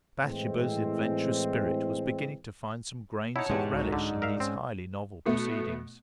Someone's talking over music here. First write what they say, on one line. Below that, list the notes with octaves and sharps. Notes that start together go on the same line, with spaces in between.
Bathsheba's adventurous spirit was beginning to find some grains of relish in these highly novel proceedings.
A2 E3 G#3 C4
D#4 E4 C#5 F#5 A5
E2 G#2 G#3 G4
C2 D#4 F#4
D3 D5
A#4 E5 F5
C4 C#4
B2 A3 B3